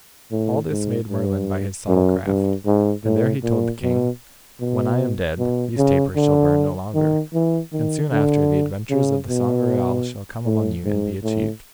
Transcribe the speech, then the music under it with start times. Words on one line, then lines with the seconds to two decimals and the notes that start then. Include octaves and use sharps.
All this made Merlin by his subtle craft, and there he told the king, When I am dead these tapers shall burn no longer, and soon after the adventures of the Sangreal shall come among you and be achieved.
0.32 A2
0.71 G#2
1.10 G2
1.88 F#2
2.27 G2
2.66 G#2
3.05 A2
3.43 A#2
3.82 B2
4.61 B2
5.39 B2
5.77 C#3
6.16 D3
6.94 D#3
7.34 E3
7.72 D#3
8.11 D3
8.90 C#3
9.29 B2
10.46 A2
10.85 G#2
11.23 A2